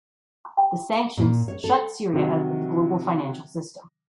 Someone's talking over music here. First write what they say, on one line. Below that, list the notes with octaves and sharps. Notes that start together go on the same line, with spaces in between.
The sanctions shut Syria out of the global financial system.
A#2
C#5
A4
C3 D#3 F#3